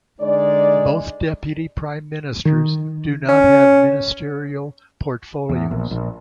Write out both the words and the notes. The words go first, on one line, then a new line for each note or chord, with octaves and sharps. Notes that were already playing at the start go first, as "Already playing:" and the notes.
Both Deputy prime ministers do not have ministerial portofolios.
D3 G#3 D#4 D5
D#3
C#4
E2
A#1
A#1